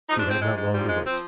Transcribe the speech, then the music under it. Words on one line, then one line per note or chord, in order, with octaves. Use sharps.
She had not long to wait.
G#2 F3 D#4
D4
C4
G#2 F3 G#3
G#3
G#2 F3 G3
G#3
F3 C4